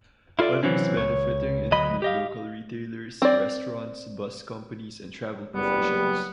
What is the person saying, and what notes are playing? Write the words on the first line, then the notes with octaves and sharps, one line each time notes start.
Others benefiting include local retailers, restaurants, bus companies and travel professionals.
E4 F4 A4 D5 E5
C3 E3 F#3 C4 C#4
C#2 C#5
D2 F#3 D#5 B5
G4 D#5 F5
C4 D5
F#1 G3 B3